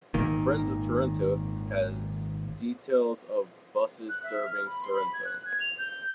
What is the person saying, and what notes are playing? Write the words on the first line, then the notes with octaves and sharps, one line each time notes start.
Friends of Sorrento has details of buses serving Sorrento.
G#1 A#2 D#3
F#6
E5
F6
B5
C6
B5
G#6
F#6
G#6
F7
G6